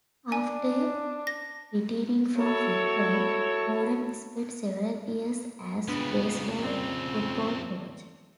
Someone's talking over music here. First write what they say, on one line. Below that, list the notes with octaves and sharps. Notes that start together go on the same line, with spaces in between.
After retiring from football, Warren spent several years as baseball and football coach.
D4 G#5
A#6
E4 F#4 A4 C#5
F2 C#3 B3 D4
G3 C4 A#4 D5